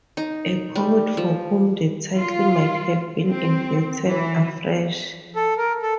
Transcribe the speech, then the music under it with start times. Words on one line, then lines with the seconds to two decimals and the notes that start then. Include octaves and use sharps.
A poet for whom the title might have been invented afresh.
0.17 D#4
0.75 G3
1.17 F3
2.17 F4
3.28 C4
4.05 E3
5.36 A4
5.58 A#4
5.83 A4